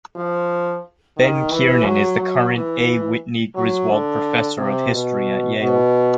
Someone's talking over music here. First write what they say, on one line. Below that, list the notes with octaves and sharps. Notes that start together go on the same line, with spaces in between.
Ben Kiernan is the current A. Whitney Griswold Professor of History at Yale.
F3
D#3
E3
F#3
F#3
E3
F#3
D3
C3
B2
B2